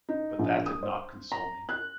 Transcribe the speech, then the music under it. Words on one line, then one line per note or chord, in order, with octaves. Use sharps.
But that did not console me.
D#4
A#1
D#6
C5
A#5
F#6